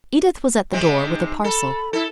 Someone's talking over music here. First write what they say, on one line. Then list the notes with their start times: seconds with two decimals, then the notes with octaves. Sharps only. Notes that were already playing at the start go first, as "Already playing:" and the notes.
Edith was at the door-with a parcel.
0.73 C3 G#3 C4
1.04 D#4
1.44 A4 B5
1.93 E4 A4